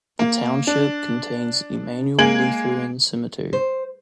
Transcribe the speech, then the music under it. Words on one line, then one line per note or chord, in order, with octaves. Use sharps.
The township contains Emmanuel Lutheran Cemetery.
A#3
D4
G#3 A#3 G#5 G#6 D7 F#7
C5